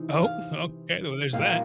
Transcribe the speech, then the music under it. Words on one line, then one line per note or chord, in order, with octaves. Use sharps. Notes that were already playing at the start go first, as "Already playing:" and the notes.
Oh, okay, well, there's that.
Already playing: C3 E3 D#4
F5
A#2 G3 A#3 D#4 F5